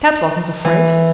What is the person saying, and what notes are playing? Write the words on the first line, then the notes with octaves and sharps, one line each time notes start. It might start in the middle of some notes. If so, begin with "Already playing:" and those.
Kat wasn't afraid.
E3